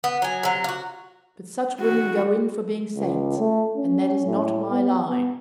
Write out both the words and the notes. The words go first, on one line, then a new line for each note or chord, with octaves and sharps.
But such women go in for being saints, and that is not my line.
B3
F#3 G#5
C3 F#3
F4 F#4
F#4
C#2
A3
C#4
A2
B3
B3